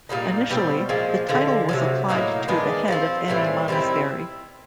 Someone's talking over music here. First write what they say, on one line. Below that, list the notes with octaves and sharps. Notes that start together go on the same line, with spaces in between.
Initially the title was applied to the head of any monastery.
A#2 G3 A#3 D#4
B2 G3 C4
A#2 F3 G#3
D3 F3 G#3
C3 D#3 F#3
A2 F#3 A#3 D#4
D#3 G#3 B3 D4
F3 A3 C4
A2 E3 G3 C4
D#3 G3 C4 E4